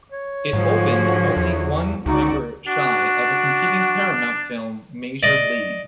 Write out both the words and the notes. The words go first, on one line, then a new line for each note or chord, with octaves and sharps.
It opened only one number shy of a competing Paramount film, "Major League".
C#5
G#2 D3 F3 F#4
E2
C#2 D#4 F#4 D5
D4 F#4
D5 D#5